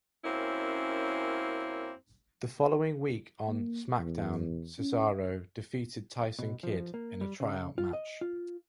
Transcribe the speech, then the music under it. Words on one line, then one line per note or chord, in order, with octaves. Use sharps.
The following week on "SmackDown", Cesaro defeated Tyson Kidd in a tryout match.
F#2 A#3 C4 C#4 E4
A#3
E2
C#4
B2
F3
A#3
G3
C#3
F4
D#5
F4